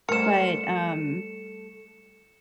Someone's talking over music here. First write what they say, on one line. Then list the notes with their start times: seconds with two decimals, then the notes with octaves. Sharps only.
But, um,
0.09 G3 A3 A#4 C5 C#7 E7